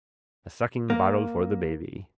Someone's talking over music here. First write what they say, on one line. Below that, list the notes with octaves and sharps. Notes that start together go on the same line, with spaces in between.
A suckingbottle for the baby.
A#3